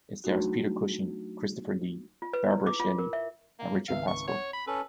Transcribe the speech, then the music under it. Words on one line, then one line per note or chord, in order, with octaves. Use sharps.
It stars Peter Cushing, Christopher Lee, Barbara Shelley and Richard Pasco.
F#3 A3 D4 D#4 F#4
F4
B4
E4
D6
F4
A#4
E5
A#3
G#1 C#2 E5 F5
C#6
C#5 F#5
B5
C#4 A4 B4